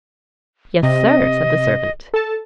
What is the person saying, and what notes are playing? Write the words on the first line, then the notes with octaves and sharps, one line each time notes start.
"Yes, sir," said the servant.
C3 D#5
A4 A5